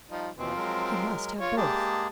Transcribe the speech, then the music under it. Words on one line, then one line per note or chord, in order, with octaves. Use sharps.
He must have both.
F3 G3 D#4
D#2 B2 E3 F3 C4
F#3 G#3 A#4
F4 C#5
G#3 A#3 G4 G#4 A5